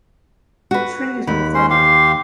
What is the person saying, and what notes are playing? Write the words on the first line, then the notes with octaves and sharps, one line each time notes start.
String is my foible.
F#4 B4
D#2 B5
C#4 C5 C6
G4 F5 C6